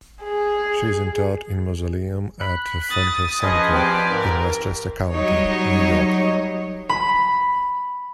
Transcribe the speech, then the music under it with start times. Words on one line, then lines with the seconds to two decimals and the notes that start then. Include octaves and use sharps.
She is interred in a mausoleum at Ferncliff Cemetery in Westchester County, New York.
0.23 G#4
2.40 B5 F#6
2.90 D#6 A6
3.42 F3 C#4 G#4 B4 D#5 G#5
3.73 C4 G4 D5
4.10 G#2 A#4
5.13 F#3 G3 D#4 C#5 D#5
6.89 B5